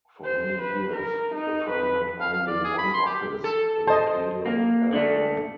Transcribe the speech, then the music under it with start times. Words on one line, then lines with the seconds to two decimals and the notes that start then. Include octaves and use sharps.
For many years, the firm had only one office, in Palo Alto.
0.25 C5
0.62 B4
0.93 A#4
1.35 D#4
1.69 B4
2.20 F5
2.33 F5
2.47 D5
2.65 G#4
2.78 B5
2.94 C6
3.06 G4
3.44 A4
3.87 C5 D#5 A5
4.46 A#3
4.93 D3 A3